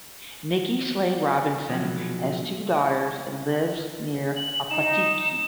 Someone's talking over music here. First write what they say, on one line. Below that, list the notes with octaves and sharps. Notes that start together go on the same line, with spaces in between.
Nikki Slade Robinson has two daughters and lives near Opotiki.
B2 F3 F#3
F#7
D#4 E7